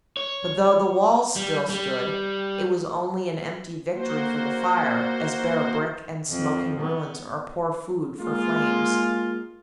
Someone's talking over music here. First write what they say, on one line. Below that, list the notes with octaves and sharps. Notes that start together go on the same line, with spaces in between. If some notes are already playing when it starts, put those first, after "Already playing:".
But though the walls still stood, it was only an empty victory for the fire, as bare brick and smoking ruins are poor food for flames.
C#5
G3
G3
A#3 F#4 C5
F2
B3
G#3 A#3 F4